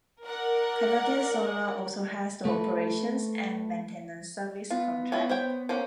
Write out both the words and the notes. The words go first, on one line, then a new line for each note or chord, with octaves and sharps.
Canadian Solar also has the operations and maintenance services contract.
A#4 D5 F#5
A3 A4 B4
B3 F4
C#4 E4 F4
C5 C#5 G5
A#3 C#4 C5